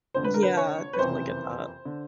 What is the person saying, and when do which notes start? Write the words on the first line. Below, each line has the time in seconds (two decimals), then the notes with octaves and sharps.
Yeah, definitely get that.
0.14 F1 F2 D3 C5
0.24 B4
0.34 A#4
0.43 B4
0.57 C#5
0.93 B4
0.99 F#1 F2 C3 E3 C5
1.85 D3